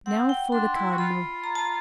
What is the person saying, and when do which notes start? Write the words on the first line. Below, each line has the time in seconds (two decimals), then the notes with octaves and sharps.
Now for the Cardinal.
0.06 C4 F#5
0.29 G5
0.52 D4 C6
0.75 E4
0.91 F#4
0.98 F4 B5
1.44 A#5
1.55 A5